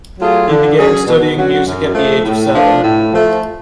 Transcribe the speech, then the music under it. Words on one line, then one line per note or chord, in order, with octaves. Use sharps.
He began studying music at the age of seven.
F#3 A3 F4 G#4
D3
F#3 C#4 G#4
B2
F#3 C#4 F#4
F#2
F3 A3
A2
F3 A3 D4 F4
A2
F3 A3